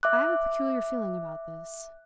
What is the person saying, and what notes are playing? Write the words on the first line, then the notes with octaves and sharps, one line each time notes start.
I have a peculiar feeling about this.
E5 D6 F#6